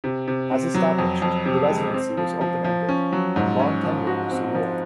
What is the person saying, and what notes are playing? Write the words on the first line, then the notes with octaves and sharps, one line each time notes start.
As established, the residency was open-ended, and long tenure was the rule.
C3
C3
C4
F#3
F2
F2
C3
G#3
C4
F3
F3
F3
C#4
F#3
G#2
C#4
F3
F#4
C4
F3